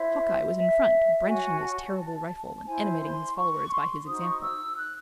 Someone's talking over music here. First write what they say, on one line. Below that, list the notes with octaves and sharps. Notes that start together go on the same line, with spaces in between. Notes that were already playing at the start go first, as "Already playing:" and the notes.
Hawkeye was in front, brandishing his terrible rifle and animating his followers by his example.
Already playing: E4 C5 E5
E5
F#4 C#5 G#5
A5
E4 C5 G#5
C6
C#6
C6
D#4 F#4 C5 D#6
C#6
D#6
E6
F#6